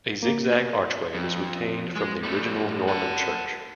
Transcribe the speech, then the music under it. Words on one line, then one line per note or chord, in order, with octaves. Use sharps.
A zig zag archway was retained from the original Norman church.
A#3
F2
G#3
G3 A3
F#5 A5